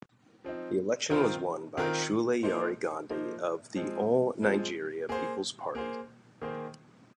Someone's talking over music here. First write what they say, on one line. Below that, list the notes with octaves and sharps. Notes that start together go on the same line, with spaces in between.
The election was won by Sule Yari Gandi of the All Nigeria Peoples Party.
F3 C4 D#4
D#3 C4 F4 A#4
D#3 C4 F4 A#4
F3 A#3 D#4 C5
F3 A#3 D#4 C5
F3 G#3 C4
F3 G#3 C4
A#3 G#4 C5
A#3 G#4 C5
D#3 A#3 G#4 C5